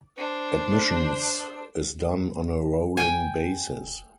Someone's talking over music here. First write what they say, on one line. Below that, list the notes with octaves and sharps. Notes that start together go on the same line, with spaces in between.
Admissions is done on a rolling basis.
D4 C5
G5 G#5